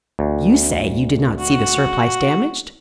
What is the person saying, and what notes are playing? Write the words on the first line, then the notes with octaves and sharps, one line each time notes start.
"You say you did not see the surplice damaged?"
D2
F#4